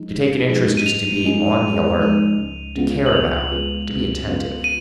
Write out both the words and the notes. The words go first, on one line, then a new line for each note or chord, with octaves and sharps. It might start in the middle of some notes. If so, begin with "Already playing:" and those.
To take an interest is to be on the alert, to care about, to be attentive.
Already playing: F3 G#3 D#4
G#2
F3 G#3 D#4 G#4
D#7
G#2 F7
F3 G#3 D#4 G#4
G#2
F3 G#3 D#4 G#4
C#2
C#3 G#3 B3 F4
F#7
C#2 F7
C#3 G#3 B3 F4
C#2
C#3 G#3 B3 F4
D#7